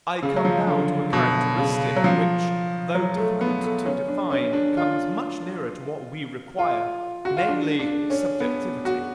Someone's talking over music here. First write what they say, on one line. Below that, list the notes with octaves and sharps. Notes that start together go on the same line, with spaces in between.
I come now to a characteristic which, though difficult to define, comes much nearer to what we require, namely subjectivity.
C#3
F#3
F3
D3
B2
C#3
F#3
F3
F#3
A3
B3
A3
C#4
D4
C#4
D4
F4
F4
F#4
F4
D4
D4
C#4
B3
F#4